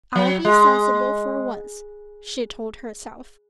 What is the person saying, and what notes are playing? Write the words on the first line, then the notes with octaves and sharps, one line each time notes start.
"I'll be sensible for once," she told herself.
F#3
G#3